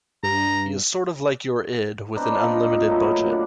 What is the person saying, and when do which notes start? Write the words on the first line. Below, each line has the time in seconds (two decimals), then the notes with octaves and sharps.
He is sort of like your id with an unlimited budget.
0.23 G2 A#5
2.16 B3 C4 D4 D#4
2.32 D4 D#4 F4
2.53 D#5
2.64 A#2 C4
2.87 A#2 F#3 A3 B3
3.30 D4 D5 F#5